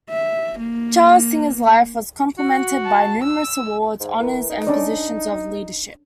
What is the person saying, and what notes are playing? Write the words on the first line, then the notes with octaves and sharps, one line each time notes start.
Charles Singer's life was complemented by numerous awards, honors, and positions of leadership.
E5
A#3
F#4
A5
E6
G#2
E3 A#4 B4
D#4
C#4 D4 D5